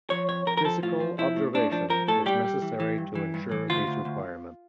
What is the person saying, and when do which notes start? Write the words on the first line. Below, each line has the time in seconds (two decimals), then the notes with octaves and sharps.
Physical observation is necessary to ensure these requirements.
0.10 F3 C#5
0.28 F2 C#5
0.46 F2 A#4
0.57 A#4
0.64 F3 A4
0.83 A2 F4
1.00 F3
1.18 F3 E4
1.36 A2
1.54 A2 D4
1.72 F3 D4
1.90 F3 A#4
2.08 A2 A4
2.26 G3 G4
2.44 G3
2.62 E3
2.80 E3
2.98 G2
3.15 E3
3.34 G2
3.51 E3
3.69 D2 F4
3.87 D2
4.05 D2